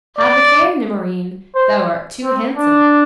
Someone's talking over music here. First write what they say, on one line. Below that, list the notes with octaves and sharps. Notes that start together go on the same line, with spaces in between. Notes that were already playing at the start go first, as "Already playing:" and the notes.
Have a care, Nemorin, thou art too handsome!
D5
C5
C4
D4